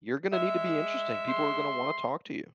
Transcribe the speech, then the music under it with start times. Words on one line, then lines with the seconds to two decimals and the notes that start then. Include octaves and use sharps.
you're gonna need to be interesting, people are gonna wanna talk to you,
0.33 G#3 E5
1.29 C6